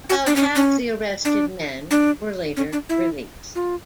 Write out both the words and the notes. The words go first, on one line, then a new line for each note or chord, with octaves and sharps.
About half the arrested men were later released.
F#4
D4
C#4
C#4
D4
D4
C#4
D4
E4
F4